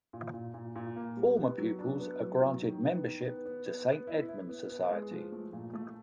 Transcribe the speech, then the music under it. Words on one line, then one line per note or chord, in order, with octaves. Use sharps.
Former pupils are granted membership to Saint Edmund's Society.
A#2
A#2
A#2
A#2
A#3
G3
B3
F#3
D4
B3
F#3
F#3
D#3
B3
D#3
B3
B3
B3
B3
E4
E4
B3
B3
G#3
F3
A3
A#2
A3